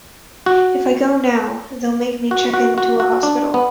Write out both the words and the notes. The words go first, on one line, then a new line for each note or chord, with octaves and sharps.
If I go now, they'll make me check into a hospital.
F#4
F#4
F#4
F#4
F#4
D4
B3